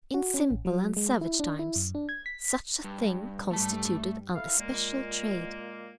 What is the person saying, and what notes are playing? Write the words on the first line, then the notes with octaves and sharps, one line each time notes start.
In simple and savage times such a thing constituted an especial trade.
F#4
C#4
A1
F#3
G#3
E4
D4
E4
F#2
D4
G#6
B6
G2
G2 G3 A3 A5
E4 A4 F5
A#2 G#3 A#3